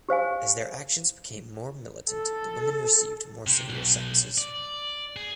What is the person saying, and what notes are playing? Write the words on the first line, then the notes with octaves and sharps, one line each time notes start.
As their actions became more militant the women received more severe sentences.
G4 C5 F5 G#5
A4
C3
B1
D5
G#4